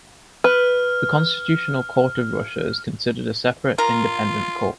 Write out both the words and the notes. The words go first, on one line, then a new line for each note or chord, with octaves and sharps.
The Constitutional Court of Russia is considered a separate, independent court.
B4 F6
F4 A#4